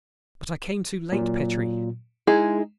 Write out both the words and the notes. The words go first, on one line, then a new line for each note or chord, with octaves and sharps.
But I came too late, Petrie!
A#2 F#3
G#3 D#4 E4 G#4